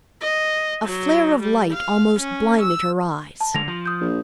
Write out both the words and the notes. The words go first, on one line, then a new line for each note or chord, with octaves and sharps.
A flare of light almost blinded her eyes.
D#5
F#3
G3
F5
C#4
E6
A5
D3 G#3 A#6 F7
F3
D#6 G6
A#1